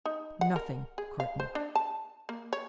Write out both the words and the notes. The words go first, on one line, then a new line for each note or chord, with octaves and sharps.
"Nothing, Carton."
D#4
F#5
A#4
G#4
F5
C5
D4
A5
A#3
C#5